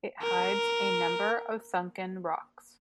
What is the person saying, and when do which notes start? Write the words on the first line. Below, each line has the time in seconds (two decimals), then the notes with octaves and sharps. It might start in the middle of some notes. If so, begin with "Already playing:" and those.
It hides a number of sunken rocks.
0.22 A#4